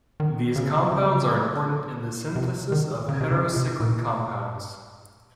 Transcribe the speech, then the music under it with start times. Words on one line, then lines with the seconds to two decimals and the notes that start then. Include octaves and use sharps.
These compounds are important in the synthesis of heterocyclic compounds.
0.20 D#3
0.56 C#3
0.92 C#3
2.36 C3
2.72 D#3
3.09 C#3
3.21 C3
3.32 C#3
3.56 C3
3.80 A#2